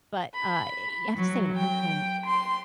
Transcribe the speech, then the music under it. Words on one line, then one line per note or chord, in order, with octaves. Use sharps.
But, uh, you have to say when it comes to when
B5
F#3
G5
C6